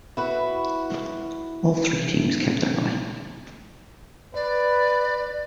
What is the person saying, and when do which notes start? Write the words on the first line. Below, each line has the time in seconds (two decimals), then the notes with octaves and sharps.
All three teams kept their money.
0.17 E4 F#4 B4
4.35 B4 D5